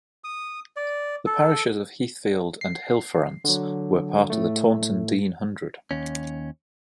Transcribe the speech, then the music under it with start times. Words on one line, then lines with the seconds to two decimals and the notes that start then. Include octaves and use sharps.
The parishes of Heathfield and Hillfarrance were part of the Taunton Deane Hundred.
0.24 D#6
0.76 D5
1.26 A4
2.61 C7
3.44 D3 F#3
4.30 A2 A3
5.91 D#2 C#4